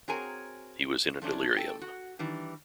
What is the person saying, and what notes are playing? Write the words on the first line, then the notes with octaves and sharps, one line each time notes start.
He was in a delirium.
C4 F#4 G#4 A#4 C#5 G#5
F3 A3 C#4 D4
A4 G5
F#4
D#3 E3 G3 D4